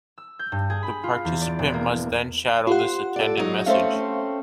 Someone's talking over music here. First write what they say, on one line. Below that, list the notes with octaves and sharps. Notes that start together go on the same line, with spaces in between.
The participant must then shadow this attended message.
E6
G6
G2
G#4
B5
F4
E2
D5
E1
A#3
F4 G4 C5 F#5
A4 D5
F#3 D#4
A3 C4 C#4 C5 E5 F5